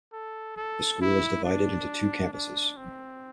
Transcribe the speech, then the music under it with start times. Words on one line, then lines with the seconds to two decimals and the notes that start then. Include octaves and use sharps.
The school is divided into two campuses.
0.13 A4
0.56 A4
1.02 E4
1.44 D4
2.33 D4
2.77 C4